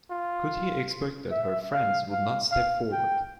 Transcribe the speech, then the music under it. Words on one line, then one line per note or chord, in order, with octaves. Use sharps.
Could he expect that her friends would not step forward?
F4
E5
F5
F5
F5
G5